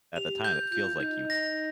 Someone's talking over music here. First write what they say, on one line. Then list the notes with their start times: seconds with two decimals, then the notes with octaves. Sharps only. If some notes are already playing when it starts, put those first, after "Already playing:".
at the time, it feels like you
0.15 G4 F7
0.44 G6
0.72 F4 G6
1.00 D#4 G6
1.30 A#6